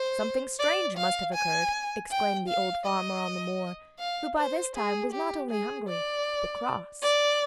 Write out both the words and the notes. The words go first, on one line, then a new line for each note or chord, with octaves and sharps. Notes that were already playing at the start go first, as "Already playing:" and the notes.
'Something strange must have occurred,' exclaimed the old farmer on the moor, who by this time was not only hungry, but cross.
Already playing: C5
D5
F5
G#5
G5
F5
D#5
F5
C5
G#4
G4
G#4
D5
D5